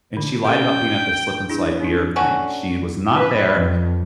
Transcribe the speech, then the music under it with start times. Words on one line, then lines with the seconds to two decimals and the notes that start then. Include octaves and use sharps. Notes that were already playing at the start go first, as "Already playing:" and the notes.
and she lied about being at the slip and slide beer thing, she was not there.
0.17 D3 D4
0.45 C#4 G4 A4 G5
1.50 D4 E4 G#4
1.63 B3 C#5
1.80 C#4 D#4 F4
2.16 D3 C#4 F#4
3.16 B4
3.54 F2